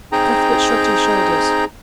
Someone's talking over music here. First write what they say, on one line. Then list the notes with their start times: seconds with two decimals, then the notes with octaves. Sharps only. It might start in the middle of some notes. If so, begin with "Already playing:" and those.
Cuthbert shrugged his shoulders.
0.12 C4 D#4 G#4 G5 A#5